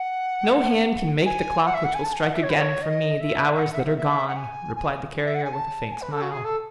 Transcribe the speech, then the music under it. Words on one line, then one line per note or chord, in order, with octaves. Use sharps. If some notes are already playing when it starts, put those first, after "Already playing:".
"No hand can make the clock which will strike again for me the hours that are gone," replied the Carrier with a faint smile.
Already playing: F#5
G#5
F#5
E5
F#5
G#5
A5
G#5
F#5
E5
C#5
B4
C#5
D#5
E5
E5
F#5
E5
F#5
E5
E5
F#5
G#5
G#5
E5
F#5
G#5
A5
G#5
B4
A4
F#4
G#4
A4